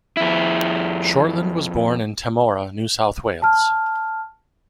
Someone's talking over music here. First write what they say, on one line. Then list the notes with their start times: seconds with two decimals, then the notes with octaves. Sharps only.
Shortland was born in Temora, New South Wales.
0.17 F2 E4
3.42 A5 F6